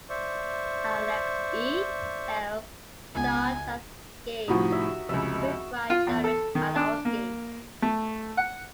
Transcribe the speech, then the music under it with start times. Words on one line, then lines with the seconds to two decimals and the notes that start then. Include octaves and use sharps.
Alexei Sayle starred as escaped convict Brian Damage Balowski.
0.10 C5 D5 E5 C#6
3.15 C#2 B3 G#5
4.48 C2 A2 F3 D#4 F#4
4.72 E5
5.09 F1 C#2 E5
5.90 F4
6.07 E2
6.24 A4
6.55 D#3
6.76 D4
7.05 A#3
7.82 A3
8.37 F#5